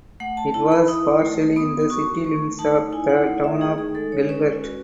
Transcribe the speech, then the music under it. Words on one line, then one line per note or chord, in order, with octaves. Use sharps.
It was partially in the city limits of the town of Gilbert.
A3 F#5
A5
E4 A5
B5
E4 D#6
A3
B3 D#6
D#6
F#4 C#6
A3 C#6
D#4 A5
E4 G#5
F#5
A3 F#5
E5
D#4 G#4
G#4
G#3 A4
C#5
C#4 B4
F#4